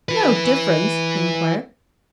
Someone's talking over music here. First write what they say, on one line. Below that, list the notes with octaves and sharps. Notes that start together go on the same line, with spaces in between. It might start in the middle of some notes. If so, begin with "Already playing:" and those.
"No difference?" he inquired.
E4 B4